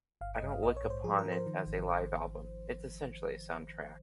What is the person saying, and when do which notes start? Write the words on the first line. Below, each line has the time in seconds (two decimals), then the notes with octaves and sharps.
I don't look upon it as a live album...it's essentially a soundtrack.
0.21 G1 F5
0.36 D#5
0.43 G2
0.49 F5
0.63 A#1 D#5
0.77 C#5
0.84 G#2
0.90 C5
1.04 F3 G#4
1.19 A#4
1.25 F3
1.32 C5
1.46 D#3
1.66 G#1